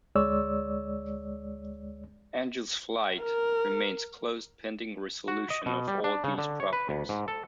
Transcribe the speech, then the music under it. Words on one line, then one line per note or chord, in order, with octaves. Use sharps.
Angels Flight remains closed pending resolution of all these problems.
D2 G#3 C#5 D5 E6
A#4
F#4
D#5
B2
G3
D4
C#3
D3
C#5
B4
D2
G#2
A4